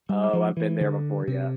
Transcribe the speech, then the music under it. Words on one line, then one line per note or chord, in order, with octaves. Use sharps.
Oh, I've been there before, yeah.
G3
F3
E3
D3
C3